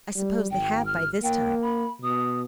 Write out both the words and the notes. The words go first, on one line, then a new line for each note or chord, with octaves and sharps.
"I suppose they have by this time."
G3
G#1 G5
F6
A#3 G5
B5
B2 D#6